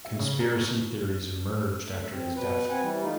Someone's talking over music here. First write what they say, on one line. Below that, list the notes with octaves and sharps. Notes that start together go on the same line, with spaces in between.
Conspiracy theories emerged after his death.
E5
C#3
A#4
B2
D2 A3 E5
C4
B2 B4
C4 B4 F#5 G#5
E3 G3
A3 D#4 F4